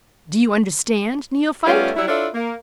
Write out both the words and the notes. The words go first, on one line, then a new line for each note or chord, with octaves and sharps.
Do you understand, Neophyte?
G3 A3 B3 C#4 F4
F#3 G3 E4
D4 E4 F4 A4 C#5
A#3